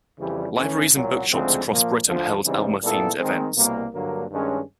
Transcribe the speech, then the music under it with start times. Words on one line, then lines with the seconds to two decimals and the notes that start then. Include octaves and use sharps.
Libraries and bookshops across Britain held Elmer themed events.
0.19 F2 C#3 E3 G3
0.56 E3 A3 C#4
0.94 C2 A#2 F#3
1.31 D2 C#3 F3 G#3 C4
1.69 A#2 F3 A#3
2.06 D2 D3 F3
2.44 C#3 E3 G3 C4 D#4
2.82 A#2 G3 B3 E4 A4
3.18 D#3 G#3 C4
3.56 C2 B2 G3 A#3
3.93 G2 D3 F#3 A#3
4.31 G2 D#3 G#3 C#4